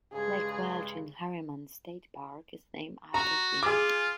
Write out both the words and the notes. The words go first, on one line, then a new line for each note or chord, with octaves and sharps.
Lake Welch in Harriman State Park is named after him.
G2 C#3 G#3 G#4
F#4 A#5
F4 G#4 D6